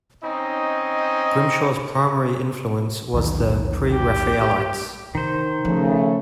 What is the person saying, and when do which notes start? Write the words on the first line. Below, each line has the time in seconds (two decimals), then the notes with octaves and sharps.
Grimshaw's primary influence was the Pre-Raphaelites.
0.23 C4 C#4 D#4 D#5
3.13 B1 E2 D#3
3.93 G4
5.15 C3 D#3 C5
5.65 C#3 F3 A3